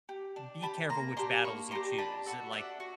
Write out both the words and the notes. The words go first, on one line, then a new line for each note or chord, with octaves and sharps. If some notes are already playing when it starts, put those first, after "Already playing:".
be careful which battles you choose. Like,
G4
D4
G4 A5 B5
A#3 A#5 C6
D4 G4 A#5 C6
A#3 B5 C#6
D4 G4 A#5 C6
D4 A5 B5
F#4 A4
D4 E5 F#5
F#4